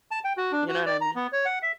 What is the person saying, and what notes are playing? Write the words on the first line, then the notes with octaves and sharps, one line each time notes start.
You know what I me
A5
G5
F#4
D4
F#4
D5
A#5
B3
C#5
F#5
E5